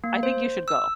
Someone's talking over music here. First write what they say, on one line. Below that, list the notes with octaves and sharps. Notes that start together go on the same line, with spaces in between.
I think you should go.
A#3
C5
E6